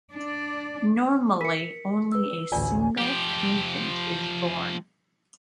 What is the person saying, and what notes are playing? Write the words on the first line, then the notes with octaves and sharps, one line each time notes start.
Normally, only a single infant is born.
D4 D5
A#4 B6 C#7
B4 E6
A1 D2 F4 D5 G#5
F3 G4